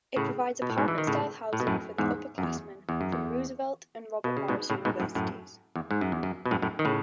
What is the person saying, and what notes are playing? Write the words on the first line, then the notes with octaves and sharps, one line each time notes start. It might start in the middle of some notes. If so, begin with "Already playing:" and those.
It provides apartment-style housing for upperclassmen from Roosevelt and Robert Morris Universities.
A2 C#3
B2
A2
G#2 B2
E3
D#3
A2 C#3
A2
B2
F#2 A2
E2 G#2
F#2
E2
E2
F#2
E2
B2
C#3
G#2 B2
A2 C#3
G#2 B2
F#2 A2
F#2 A2
E2
G#2
F#2
E2
F#2
B2
F#2 A2
F#2 A2
D#3
A2 C#3